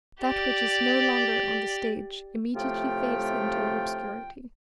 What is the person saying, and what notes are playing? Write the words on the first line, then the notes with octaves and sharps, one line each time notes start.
That which is no longer on the stage immediately fades into obscurity.
G4 D5
A2 C3 F3 A3 F4 G5